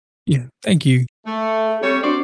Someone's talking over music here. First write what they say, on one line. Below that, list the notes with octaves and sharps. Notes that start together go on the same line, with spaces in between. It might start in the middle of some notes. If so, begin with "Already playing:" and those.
Yeah, thank you.
A3
A4
G3 C4 C#4 C#5
D4 F#4 C5 D5